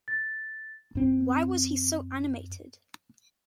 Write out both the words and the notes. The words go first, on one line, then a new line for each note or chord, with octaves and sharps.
Why was he so animated?
A6
F#2 C4